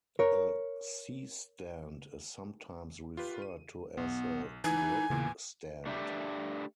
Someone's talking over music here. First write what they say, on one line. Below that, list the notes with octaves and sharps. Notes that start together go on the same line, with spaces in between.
A C-stand is sometimes referred to as a "grip stand".
A#4 C#5
F4 G4 B4
D#7
B1 B3
E3 D#4 G#5
E2 A#2 C#3 E3
A3 D4 G4 E5